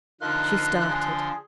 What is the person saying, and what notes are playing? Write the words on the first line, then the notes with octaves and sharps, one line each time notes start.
She started.
D3 F3 D#4 A#4 F5 C6 F#6
G#4